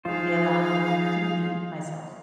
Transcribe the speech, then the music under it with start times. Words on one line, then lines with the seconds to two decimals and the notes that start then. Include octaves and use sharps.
they allow me to be myself.
0.05 F3 D#4 F4 G#4 C5 F5